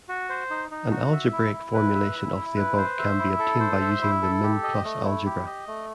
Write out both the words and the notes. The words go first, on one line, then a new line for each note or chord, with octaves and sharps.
An algebraic formulation of the above can be obtained by using the min-plus algebra.
F#4
C5
D#4
D#4
F#4
E5
E4
E4
B4
E5
E4
E4
B4
C5
E5
E4
A4
C5
E5
E4
A4
G4
D#5
A3
E4
G4
D#5
A3